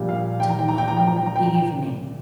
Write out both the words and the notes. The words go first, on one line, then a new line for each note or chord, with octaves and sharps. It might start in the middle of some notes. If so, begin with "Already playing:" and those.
To-morrow evening!
Already playing: A#1 A#2 G3
F5
G5
A#5
G5
A#5
G5
A#5
G5
A#5
G5
A#5
G5
A#5
G5